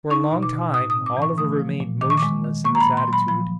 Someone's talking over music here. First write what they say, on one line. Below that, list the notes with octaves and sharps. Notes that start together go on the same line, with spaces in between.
For a long time, Oliver remained motionless in this attitude.
D#4 C#6
B2
D6
B2
A2 D#6
D#6
C4
D6
E3
C#6
A3 D#6
F3
A#2
D#3 D6
C#6
D6
G#3
D#3
A#3 C#6
A#5
B5
A#2
C6
F#3
B5
F3 B5